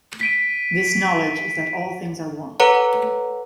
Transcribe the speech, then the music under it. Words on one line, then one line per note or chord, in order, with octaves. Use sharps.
This knowledge is that all things are one.
B6 D7 D#7
A4 B4 C#5 F#5 A#5